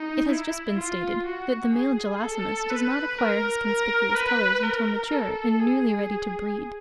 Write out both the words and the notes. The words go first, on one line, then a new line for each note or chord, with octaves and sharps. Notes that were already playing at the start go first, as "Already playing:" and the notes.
It has just been stated that the male Gelasimus does not acquire his conspicuous colours until mature and nearly ready to breed.
Already playing: D#4
E4
F4
F#4
G#4
A4
B4
A#4
A#4
B4
A#4
A4
G#4